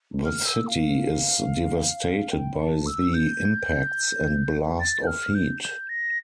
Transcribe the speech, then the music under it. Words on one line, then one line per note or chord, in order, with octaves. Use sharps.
The city is devastated by the impacts and blast of heat.
F6
E6
F5
G5
A5
E6
G6
A6
G6
F6
G6
G6
A#6